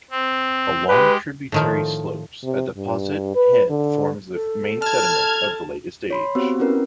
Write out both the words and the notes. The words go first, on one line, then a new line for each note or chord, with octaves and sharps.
Along tributary slopes, a deposit, head, forms the main sediment of latest age.
C4
G#3 G4 B4
A2 D#3 F3
C3
G2
B4
D3
A4
A5 F6 G#6
C#5 B5 C6
B3 C4 F#4 G4 C5
C4 C#4 E4 A#4 B4